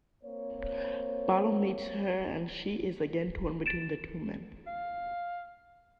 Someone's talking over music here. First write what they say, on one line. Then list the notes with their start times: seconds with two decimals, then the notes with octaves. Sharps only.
Barlow meets her and she is again torn between the two men.
0.24 A#3 C4 C5 C#5
3.66 A6 D7 E7
4.67 F5